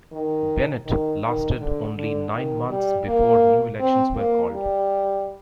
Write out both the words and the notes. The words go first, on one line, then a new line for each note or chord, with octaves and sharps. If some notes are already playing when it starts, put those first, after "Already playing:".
Bennett lasted only nine months before new elections were called.
D#3
D#3
D#3
D3
D3
D#3
G3
A#3
C4
A#3
G3